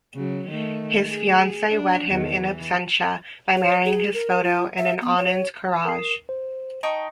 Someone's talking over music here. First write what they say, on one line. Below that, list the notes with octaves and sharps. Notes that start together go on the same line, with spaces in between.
His fiance wed him in absentia by marrying his photo in an Anand Karaj.
C#3 F#3
D#3 A3
G#4
D4
E2 D#3
E3
C#5
G#4
A#4
F4
E5
B3
C#5
A#4 D#6 C7
C5
D#4 G5 A5 C#6